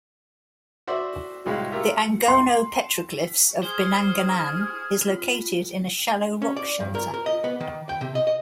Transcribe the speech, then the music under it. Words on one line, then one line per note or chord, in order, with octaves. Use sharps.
The Angono Petroglyphs of Binangonan is located in a shallow rock shelter.
F#4 C5 D5 E5
C2 A2 G#3 F5 B5 F#6
A3 F4 G4 A#4 E5
C6
G#4 C5 F6
C#4
D5
G2
A#4
A#4
D#5
B3
D#3
G5
C3
D#5
D#5